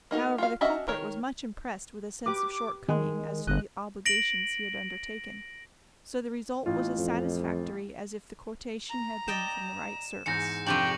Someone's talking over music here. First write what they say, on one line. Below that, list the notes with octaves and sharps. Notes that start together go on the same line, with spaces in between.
However, the culprit was much impressed with a sense of shortcoming as to the obligations he had undertaken; so the result was as satisfactory as if the quotation had been from the right service.
A#3 D#4 F#4 A#4
F4 F#4 F5
C#4 D4 F#4 D#5 E5
D#3 A#4 C#5
G4 B4 D6
D#3 G#3
G1 D#5 F#6
A#6 D7 F#7
A1 F4
F2
A#5
D5 D#5 G5 E7
E2 G#2 G6 A#6 C#7
F2 C3 D4 G4 G5 C#6 F#7